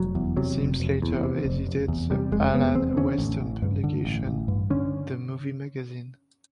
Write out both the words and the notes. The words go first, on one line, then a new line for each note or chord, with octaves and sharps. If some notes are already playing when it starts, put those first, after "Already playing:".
Sims later edited the Alan Weston publication "The Movie Magazine".
Already playing: F1 F#3
E2
C3 F#3
F1
F1
E2
C3
F1
F1
E2
C3 G3
F1 G#3
F1 B3
E2 C4
D3 C#4
A1
A1
G2
D3
A1
A1
G2
D3 C#4